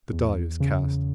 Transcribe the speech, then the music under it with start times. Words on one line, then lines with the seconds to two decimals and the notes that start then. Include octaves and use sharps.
The die is cast.
0.13 E2
0.60 C#3